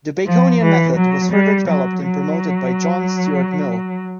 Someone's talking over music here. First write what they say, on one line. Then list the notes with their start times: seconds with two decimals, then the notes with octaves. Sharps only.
The Baconian method was further developed and promoted by John Stuart Mill.
0.26 F3
0.61 E3
0.97 F#3
1.32 G3
1.68 F#3
2.03 F#3